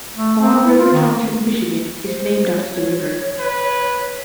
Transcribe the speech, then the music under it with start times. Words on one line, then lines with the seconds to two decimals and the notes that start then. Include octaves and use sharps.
Fawn River Township, Michigan is named after the river.
0.16 A3
0.39 C4
0.64 E4
0.78 F4
0.93 D#3
2.06 C5
2.54 C#5
3.39 B4